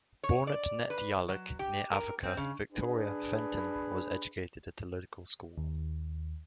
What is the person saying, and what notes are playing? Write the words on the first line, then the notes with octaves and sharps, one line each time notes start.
Born at Nette Yallock, near Avoca, Victoria, Fenton was educated at a local school.
C#5
D5
B4
F#3
G4
A#4
C4
C#3
D4 G#4 B4
D#2